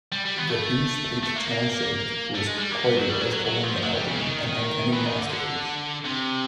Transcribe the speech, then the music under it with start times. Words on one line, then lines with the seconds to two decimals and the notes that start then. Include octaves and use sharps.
The Who's Pete Townshend was quoted as calling the album "an uncanny masterpiece".
0.12 G3
0.25 G3
0.38 B3
0.50 A3
1.23 A3
1.36 A#3
1.48 A#3
2.35 A3
2.47 G#3
2.59 G3
2.71 A#3
2.84 B3
2.97 F#3
3.09 G3
3.21 F#3
3.33 F#3
3.45 F#3
3.63 F3
3.76 F3
3.83 F#3
3.95 G3
4.08 C#3
4.19 D#3
4.93 E3
5.06 D#3
5.19 D3
5.30 D3
6.05 C3